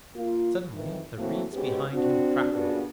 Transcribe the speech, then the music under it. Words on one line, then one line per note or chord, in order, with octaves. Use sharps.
Suddenly the reeds behind him crackled.
A#3 F4
F2 D#3 E3
E3 F#3 A3 A#3 C4 F#4
G#2 B2 G#3 B3 C#4 G4
C4 D4 F#4
G2 A#2 C#3 B3 D4 F#4